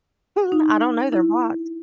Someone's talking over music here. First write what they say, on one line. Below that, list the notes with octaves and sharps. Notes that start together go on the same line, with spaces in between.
Hmm, I don't know, they're blocked.
D#4
E4